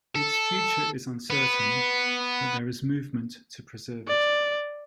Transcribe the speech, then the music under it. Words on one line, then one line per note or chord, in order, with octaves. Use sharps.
Its future is uncertain, but there is movement to preserve it.
A4
B3
D5